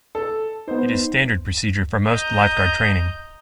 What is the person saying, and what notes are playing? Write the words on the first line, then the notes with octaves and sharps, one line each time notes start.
It is standard procedure for most lifeguard training.
A4
B3 D#4 C5
D#5 A#5 G6